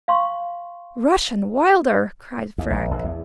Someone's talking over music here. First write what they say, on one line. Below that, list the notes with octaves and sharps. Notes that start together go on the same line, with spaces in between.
"Rush & Wilder!" cried Frank.
F5 C6 C#6
D#2
A#1
A#1
E2